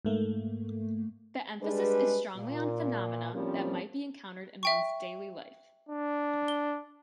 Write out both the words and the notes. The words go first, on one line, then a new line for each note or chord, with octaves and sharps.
The emphasis is strongly on phenomena that might be encountered in one's daily life.
G#2 A3 A#3
G3 G#3 D4 G#4 B4
A#2
A2 F3 G3 A#3 C4 C#4
E5 G5 C#6
D4
G7